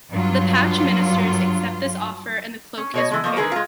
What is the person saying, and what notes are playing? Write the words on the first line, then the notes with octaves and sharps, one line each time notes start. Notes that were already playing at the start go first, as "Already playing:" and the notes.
The Patch ministers accept this offer and the cloak is repaired.
G2 F#3 F4
C#4
B2 C#5 D#5
E3 G#3
F3 A3 A#3 D#5
D3 D#3 G#3 G#4 A#4 B4
G#3 F4